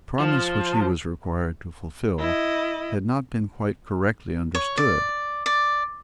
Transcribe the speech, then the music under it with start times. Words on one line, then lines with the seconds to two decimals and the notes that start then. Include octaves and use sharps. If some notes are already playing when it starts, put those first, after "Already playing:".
The promise which he was required to fulfil had not been quite correctly understood.
0.20 F3
2.19 E4 D#5
4.55 C#5
4.77 D5
5.46 D5